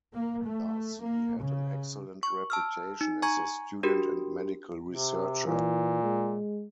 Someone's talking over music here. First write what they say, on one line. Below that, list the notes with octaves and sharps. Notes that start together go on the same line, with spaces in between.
Darsee had an excellent reputation as a student and medical researcher.
A#3
A3
A#3
C#3
C#6
A5 E6 F6
D#4
G#5 A#5 C#6 G#6
D4 F#4 G4 A#4
C3
A#2 E3
G#3